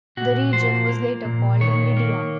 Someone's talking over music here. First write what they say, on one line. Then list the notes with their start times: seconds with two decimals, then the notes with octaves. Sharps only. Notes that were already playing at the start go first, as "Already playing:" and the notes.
The region was later called Lydia.
0.17 A#2 F#4
0.53 F3 C5
0.89 A#3
1.25 A#2
1.61 D#3 C#5
1.97 A#3